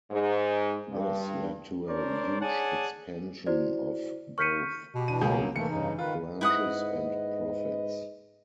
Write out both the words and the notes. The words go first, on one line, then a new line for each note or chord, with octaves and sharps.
This led to a huge expansion of both Faith branches and profits.
G#2
G2
C#4 D4 A#4 C5 D5
G#4 C#5 D5 F#5 G#5 A5
E4 F#4 C5 D5
C#6 F6 G6 B6 C#7 D#7
B2 G4
E3 D4 D#7
C#2 F#3 A#3 G#4 G6
F1 E3 A3 A#3 C#7
G2 C#3 D#4
D#3 F4 B4
G#2 E4 B4 D#5 F#5 D#6